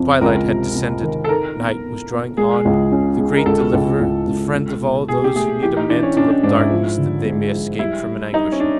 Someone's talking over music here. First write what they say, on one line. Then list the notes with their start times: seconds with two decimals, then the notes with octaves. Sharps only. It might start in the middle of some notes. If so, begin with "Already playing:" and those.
Twilight had descended; night was drawing on, the great deliverer, the friend of all those who need a mantle of darkness that they may escape from an anguish.
Already playing: F2 F3
0.21 C#2 A#4
0.48 C3
0.75 C3
1.02 D#3
1.24 A4
1.29 D#4 A#4
1.57 B3
1.83 B3
2.11 B3
2.37 G#3 G#4
2.65 C#2
2.92 C#4
3.19 G#3
3.36 A#4
3.46 C#2 A4
3.73 C#2
4.00 C#2
4.27 C#2
4.54 C#2
4.81 B2
5.08 B2 G#4
5.24 G4
5.35 A3 G#4
5.63 E3 G4
5.77 D#4
5.89 E3 D4
6.03 C#4
6.17 C#4 D4
6.30 D4
6.43 G#2 D4
6.57 E4
6.71 F3
6.98 D3
7.25 G#3
7.52 F3
7.79 G3 E4
8.06 G3
8.33 G3 D#4
8.52 C#4
8.60 D4 D#4